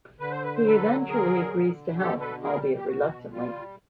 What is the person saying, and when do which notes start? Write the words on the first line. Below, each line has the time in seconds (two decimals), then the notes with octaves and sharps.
He eventually agrees to help, albeit reluctantly.
0.20 D3 B4
0.31 C5
0.43 B4
0.55 C5
0.65 F#3 A4 B4
1.09 D3 G#4 A#4
1.53 D3
1.98 B2 G4 A4
2.20 A4 B4
2.43 G3 G#4 A#4
2.78 G4
2.88 B2 F#4
3.32 G3 F4